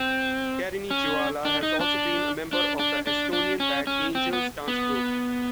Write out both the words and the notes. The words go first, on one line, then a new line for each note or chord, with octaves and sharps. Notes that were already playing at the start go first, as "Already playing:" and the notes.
Kariny Joala has also been a member of the Estonian Bad Angels dance group.
Already playing: C4
C#4
D4
D#4
D4
D4
D4
D4
D4
C#4
C#4
C4
B3
B3